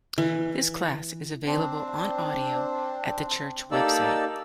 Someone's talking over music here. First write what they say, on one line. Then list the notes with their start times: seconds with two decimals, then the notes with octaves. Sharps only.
This class is available on audio at the church website.
0.18 E3
1.46 C4 D4
3.71 A#3 D#4 G4 A4 D5 E6